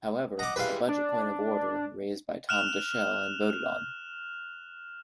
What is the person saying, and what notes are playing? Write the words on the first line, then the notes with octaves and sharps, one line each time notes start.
However, a budget point of order raised by Tom Daschle, and voted on.
D#5 F#5 A#5 D6
E3 G3 G#3 B4 F5
D4
F6 F#6 E7 F7